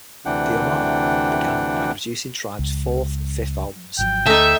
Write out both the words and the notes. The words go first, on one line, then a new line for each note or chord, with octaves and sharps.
The Ummah began by producing Tribe's fourth and fifth albums.
D2 C3 E3 D4 F#5 G5
C#2
G#1 F3 F#3 G5
D2 A3 D#4 E5